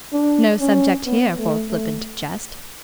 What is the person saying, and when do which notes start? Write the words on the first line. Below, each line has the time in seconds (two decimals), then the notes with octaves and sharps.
No subject here for flippant jest.
0.13 D4
0.60 C#4
1.06 B3
1.38 A3
1.69 A3